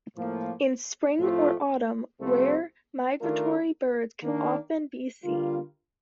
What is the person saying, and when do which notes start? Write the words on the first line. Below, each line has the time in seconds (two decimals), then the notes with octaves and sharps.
In spring or autumn rare migratory birds can often be seen.
0.17 A2 F3 A#3
1.18 A2 F3 A3 C4 F4
2.19 C2 C3 F3 A3 C4
3.20 D#3 A3 D4 F4 A#4
4.22 D#3 A#3 D4
5.24 D3 G3 A#3 F4